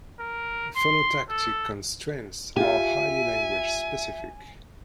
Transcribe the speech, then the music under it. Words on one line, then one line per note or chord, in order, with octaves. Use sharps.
Phonotactic constraints are highly language specific.
A#4
C6
A4
F4 G4 E5 G#5